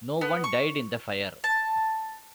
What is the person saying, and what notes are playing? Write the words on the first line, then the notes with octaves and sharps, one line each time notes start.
No one died in the fire.
B3
C#6
A5